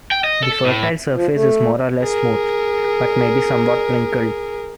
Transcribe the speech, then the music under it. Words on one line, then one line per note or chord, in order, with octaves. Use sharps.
The fertile surface is more or less smooth but may be somewhat wrinkled.
G5
D#5
A4
A2
F3
A3
G#4 A#4